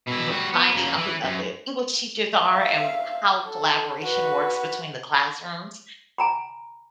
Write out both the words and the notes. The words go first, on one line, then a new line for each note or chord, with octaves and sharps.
v finding out who the other English teachers are and how collaboration works between the classrooms.
B2 E4
G3 F#4
B3
C#3 A#3
E3
F#2
E5 F5
A4
F#4 B4
G#5 A#5 B5